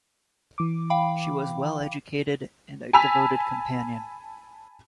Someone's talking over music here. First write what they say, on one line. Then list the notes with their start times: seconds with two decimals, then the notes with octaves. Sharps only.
She was well-educated, and a devoted companion.
0.58 E3 D6
0.90 F5 G5 B5
2.93 G#5 A5 B5 E6 B6 F7